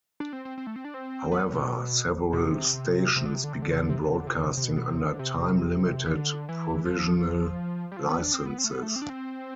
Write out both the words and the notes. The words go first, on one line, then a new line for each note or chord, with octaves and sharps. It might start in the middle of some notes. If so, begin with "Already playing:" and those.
However, several stations began broadcasting under time-limited provisional licenses.
D4
C4
C4
C4
A3
C4
D4
C4
B3
C3
B2
B2
C3
C3
D3
C3
D3
C3
D3
C3
D3
C3
D3
C3
D3
C3
D3
C3
C3
B2
B2
C3
D3
C3
E3
D3
E3
F3
G3
F3
B3
D4
C4
B3
C4
A3
B3
A3
C4
D4
C4